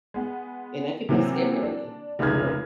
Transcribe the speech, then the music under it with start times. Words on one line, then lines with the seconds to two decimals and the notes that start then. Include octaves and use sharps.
and that could be scary, but,
0.14 G#3 B3
1.09 C3 E3 F#3 A#3 C4
1.62 D4
2.19 F1 C#2 D#3 G#3 F6 G#6